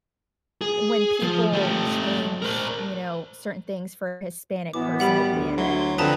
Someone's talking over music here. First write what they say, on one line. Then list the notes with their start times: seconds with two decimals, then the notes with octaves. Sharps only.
when people change, you know, certain things for a Hispanic person to be in it.
0.61 G#4
1.23 F3
1.53 A3 G4
2.42 A#4 C5
4.74 F#2 A2 E3 B3 D6
5.00 G3 F#5 B5
5.32 D2
5.58 F#3 E4 C6
5.98 D3 F3 C4 B4 A5 A#5 D#6